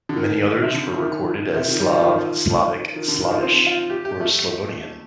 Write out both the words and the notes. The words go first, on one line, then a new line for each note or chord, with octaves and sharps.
Many others were recorded as Slav, Slavic, Slavish, or Slavonian.
D3
D#3
C3
D3
D#3
C3
D#3
G3
F3
D#3
F3
D#3
D3
D#3
F3
C4
F4
G4
G4
A3